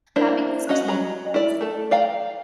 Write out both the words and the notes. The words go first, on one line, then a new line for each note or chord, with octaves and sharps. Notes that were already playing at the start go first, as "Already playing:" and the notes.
that becomes tedious.
A#3 D4 E4 C5 E5
C#4 F#4 D#5 F#5
F#3 A#5 B5
E4 D5
A3 A4
D5 F5 G5 A#5